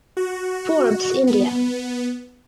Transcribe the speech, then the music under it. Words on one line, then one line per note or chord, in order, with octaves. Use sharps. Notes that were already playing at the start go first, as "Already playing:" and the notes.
Forbes India.
F#4
B3